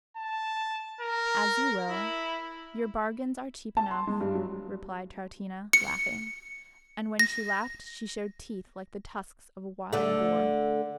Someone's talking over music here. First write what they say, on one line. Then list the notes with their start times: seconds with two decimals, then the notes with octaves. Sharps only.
"As you will; your bargains are cheap enough," replied Troutina, laughing: and when she laughed she showed teeth like the tusks of a wild boar.
0.17 A5
1.01 A#4
1.90 E4
3.77 A5
3.91 C6
4.07 G#3
4.20 G2
4.35 F#3
5.73 C#7
7.19 A#6
9.93 D3 A3